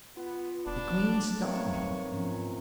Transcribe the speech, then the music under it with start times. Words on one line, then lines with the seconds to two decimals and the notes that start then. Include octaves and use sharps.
It clean stumped me.
0.17 B3 F4
0.66 E1 B3 D4
1.02 F#3 A3
1.42 C3 D#3 B4 C#5 F5
2.12 G#2 F3 B3 C#4